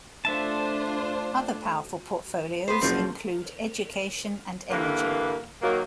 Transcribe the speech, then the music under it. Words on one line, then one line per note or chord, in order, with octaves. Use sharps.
Other powerful porfolios include Education and Energy.
A3 D4 F4 C5 E5 A5
B3 C5
F#1 B2 F3 C4
G2 D3 E3 A#3
D#3 F#3 A#3